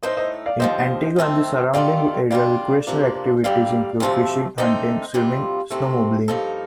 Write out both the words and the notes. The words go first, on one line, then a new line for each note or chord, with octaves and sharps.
In Antigo and the surrounding area recreational activities include fishing, hunting, swimming, snowmobiling.
A2 A3 D#4 C5 D#5
C5 D#5
D5 F5
D#2 D3 F3 C5 D#5
F2 D#3 A3 C4
D#2 D#3 A3 C4 F4 D5 F5
F2 D#3 G3 D4 F4 D5 F5
F2 C3 F3 A#3 D4
G2 D3 G3 A#3 D5 F5
D2 C3 F3 A3
D3 A3 C4 D#4 C5 D#5
D2 C3 G3 A#3 F4
D2 C3 D#3 A3 C4
G2 F3 A#3 D#4 A4